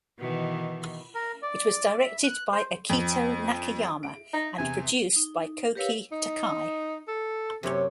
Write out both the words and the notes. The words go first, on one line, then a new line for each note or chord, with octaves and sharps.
It was directed by Akito Nakayama and produced by Koki Takei.
B2 D#3 E3
A#4
D5
E5
F#6
C5
F2
D7
D#4
E2 C3 G#5
D#4
G4 A#4 B4 C#5 F5 E6
D#4
A4
F#2 C3 C#5